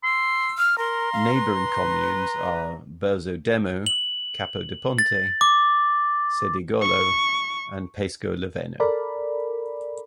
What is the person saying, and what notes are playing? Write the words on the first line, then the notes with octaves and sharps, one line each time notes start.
Neighbouring communes are Berzo Demo, Capo di Ponte, Cedegolo and Paisco Loveno.
C6 E6
F6
A#4 A#5 C6
F5
B4
F#7
A6
D6
C#6
A4 A#4 D5 B5